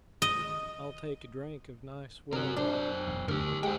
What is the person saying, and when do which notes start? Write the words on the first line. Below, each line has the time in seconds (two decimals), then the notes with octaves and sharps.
I'll take a drink of nice well-water.
0.22 D#5
2.33 C3 F#4 A#4
2.57 F#2 D4 C5
3.08 E1
3.28 D2 G4 A#4
3.63 G#3 C5 F#5 G5